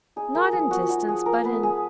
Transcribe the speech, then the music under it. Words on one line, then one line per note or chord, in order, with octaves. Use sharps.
'Not in distance, but in--.
D#4 G#4
F3 A#4
F3 G#4
B3 F#4
D#4 F#4
F3 G#4
F3 A#4
B3 B4
G#3 G#4